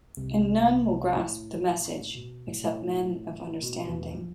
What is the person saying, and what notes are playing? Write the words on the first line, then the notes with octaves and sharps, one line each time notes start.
And none will grasp the Message except men of understanding.
C2 C3
A2
B2
A2
A2
B2
E2 E3
F3